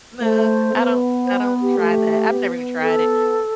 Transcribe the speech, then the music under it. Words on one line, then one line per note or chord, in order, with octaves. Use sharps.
No, I don't I don't try that. I've never even tried it,
A3 C5
B3
C5
B4
G4
A3
B3
A4